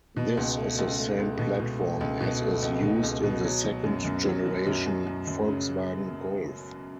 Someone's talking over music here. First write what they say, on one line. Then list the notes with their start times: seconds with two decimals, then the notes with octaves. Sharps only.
This is the same platform as is used in the second generation Volkswagen Golf.
0.16 B2
0.37 C#2
0.57 A3
0.79 C#2
0.98 A3
1.19 C#2
1.39 B2
1.60 B2
1.80 A3
2.01 C#2
2.20 B2
2.42 A3
2.62 C#2
2.82 B2
3.03 C#2
3.23 B2
3.44 F#3
3.64 F#3
3.84 F#2
4.05 F#2
4.25 F#3
4.46 F#3
4.67 F#2
4.86 F#2
5.07 F#2
5.28 F#2
5.48 C#3